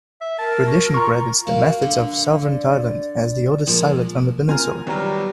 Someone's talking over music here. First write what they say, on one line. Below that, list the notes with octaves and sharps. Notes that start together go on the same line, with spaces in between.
Tradition credits the methods of southern Thailand as the oldest silat on the peninsula.
E5
A#4 A5
F#4
F4 A#5 C#6
A#3 F#4 F5
D3
D5
A#2 F3 G#3
C4 F4 A#4 G#5 A#5 F6
D#2 F#3 G3 B3 C#5 A#5